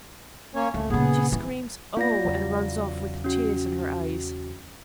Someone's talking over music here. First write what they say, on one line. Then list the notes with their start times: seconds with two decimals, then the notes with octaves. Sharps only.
She screams 'Oh!' and runs off with tears in her eyes.
0.55 A#3 C#4 C#5
0.74 D2 A3
0.90 A#2 C#3 B3 G#4
1.32 E3
1.97 A#3 F4 D5 A#6
2.25 E2 C#3 F#3
3.24 C#4 F#4